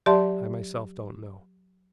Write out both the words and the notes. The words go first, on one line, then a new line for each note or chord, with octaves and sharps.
I myself don't know.
F#3 G4 D5 E5 A5 C6